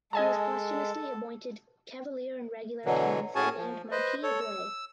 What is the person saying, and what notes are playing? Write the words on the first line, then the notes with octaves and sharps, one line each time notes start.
He was posthumously appointed Cavalier In Regular Attendance and named Marquis of Wei.
G#3 A4 D#5 G#5 A5
B2 D3 E3 F#3
A2 C#4 F#4 G#4 G#5 A5
F3
B4 C5 D#5
A4 C#5
E6